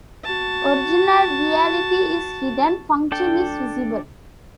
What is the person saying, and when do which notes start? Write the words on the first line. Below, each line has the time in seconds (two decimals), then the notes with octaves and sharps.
Original reality is hidden, function is visible.
0.24 F#4 A5
3.12 D4 A4 G5